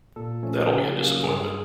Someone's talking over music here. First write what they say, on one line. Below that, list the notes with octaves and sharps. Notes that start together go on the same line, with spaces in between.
That'll be a disappointment.
A#2 A4
F3 A3 C#4
C#3
F#3 A#3 C#4
G2 G#4